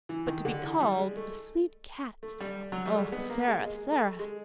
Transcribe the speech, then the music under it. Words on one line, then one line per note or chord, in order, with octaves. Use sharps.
But to be called "a sweet cat!" Oh, Sara, Sara!
E3
D#3
D3
E3
G3
G#3
A3
A3
G3
F#3
G3
A3
G#3
B3
A#3
G#3
G#3
A3
G#3